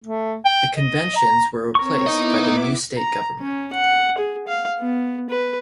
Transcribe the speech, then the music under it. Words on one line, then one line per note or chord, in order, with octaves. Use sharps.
The Conventions were replaced by the new state government.
A3
G5
D#5
A#5
C4 A#4 C#5 C#6
B3 D#4 E4 D#5 D6
A#5
C#4
F#5
G#4
F5
B3
B4